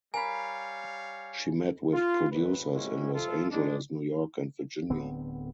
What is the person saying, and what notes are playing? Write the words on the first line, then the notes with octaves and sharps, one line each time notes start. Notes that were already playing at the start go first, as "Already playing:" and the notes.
She met with producers in Los Angeles, New York and Virginia.
G3 A#4 C#5 F5 G#5 B5
F4
G#1 D#2 B4
G#3 A#3 C4 C#4 E4 F#4
F2 C3 F4 A4
G#2 D#3 G#3 D4
D1 D3 B3 C4